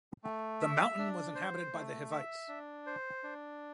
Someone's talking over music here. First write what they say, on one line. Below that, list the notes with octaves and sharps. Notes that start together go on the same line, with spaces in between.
The mountain was inhabited by the Hivites.
A3
E5
D4
C5
A3
E5
D4
C5
D4